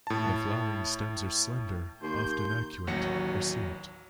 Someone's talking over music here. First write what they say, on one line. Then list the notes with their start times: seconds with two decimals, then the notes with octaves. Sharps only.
The flowering stems are slender, often arcuate, hirsute.
0.07 A2 A5
2.02 D#2 C6 G6
2.87 A1 D#2 F#3 F#4 A#6 C#7